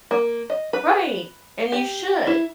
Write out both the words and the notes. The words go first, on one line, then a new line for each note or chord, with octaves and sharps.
Right, and you should.
A#3
D#5
B4
G4
E4